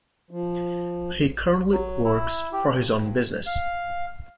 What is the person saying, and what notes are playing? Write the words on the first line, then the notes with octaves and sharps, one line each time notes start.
He currently works for his own business.
F3
F#3
E4
G4
G2
F5